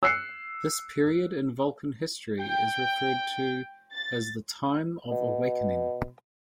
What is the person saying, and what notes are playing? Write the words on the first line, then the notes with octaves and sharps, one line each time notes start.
This period in Vulcan history is referred to as the "Time of Awakening".
E6 F#6 C7 C#7
G5
A6
B2